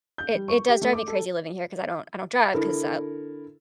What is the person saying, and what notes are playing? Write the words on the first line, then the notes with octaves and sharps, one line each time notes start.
it it does drive me crazy living here 'cause I don't I don't drive 'cause, uh,
G6
G3
C#6
G4
A3
D6
A4
D3 E4 A4 A#4